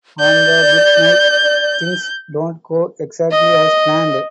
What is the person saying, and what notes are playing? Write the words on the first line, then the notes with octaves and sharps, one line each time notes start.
On the big night, things don't go exactly as planned.
D5 G6
D#5